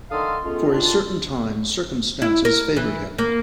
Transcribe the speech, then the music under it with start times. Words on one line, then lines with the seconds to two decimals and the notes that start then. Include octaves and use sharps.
For a certain time circumstances favoured him.
0.11 D3 D#3 A4 F5 C6 D#6
0.44 G#3 A3 B3 C#4 F4
0.70 D2 D4 F4
2.22 E4
2.45 A#4
2.77 E3
3.19 A#3